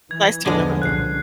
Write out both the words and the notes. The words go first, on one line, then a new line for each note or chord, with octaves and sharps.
nice to remember them.
E3 G#6
B1 E2 D3 F3 G#3 B3
C2 B2 C#4 F#6 C7